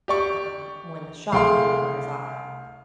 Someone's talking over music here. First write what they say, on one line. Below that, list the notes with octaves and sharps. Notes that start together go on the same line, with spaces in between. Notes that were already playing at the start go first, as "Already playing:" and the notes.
um, when the shock of it wears off
G4 D5 C#6
C2 A3 G#4 F5 G5 C6